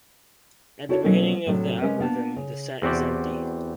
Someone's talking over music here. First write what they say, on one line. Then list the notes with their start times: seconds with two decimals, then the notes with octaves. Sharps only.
At the beginning of the algorithm, the set is empty.
0.89 E4 F#4 A4 C#5 D5
1.04 B2 F#3 A3 A#3 C#4 A4
1.46 A2 C3 F#3 A3 C#4 D4
1.82 G#3 C#4 G4 A#4 B4 E5
2.00 A#3 B3 D4 G#5 A5
2.36 C#3
2.82 E2 C4 F#4 G4 D5